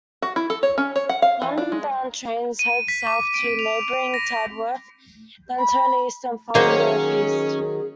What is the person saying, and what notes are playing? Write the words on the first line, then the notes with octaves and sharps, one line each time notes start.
London-bound trains head south to neighbouring Tadworth, then turn east and finally north-east.
F#4
E4
A4
C#5
C#4
C#5
F#5
F5
E3
D4
G#3
D#7
B6
D6
D7
F7
A#6
B5
D#3 F#3 A#3 C#4 G#4 C5